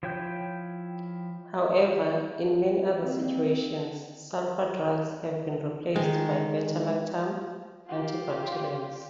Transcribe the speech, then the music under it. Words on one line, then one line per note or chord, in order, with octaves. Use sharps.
However, in many other situations, sulfa drugs have been replaced by beta-lactam antibacterials.
F3 E4 C#5 G5 G6
G#3 A#3 C4
D#3 G#3
F4 G4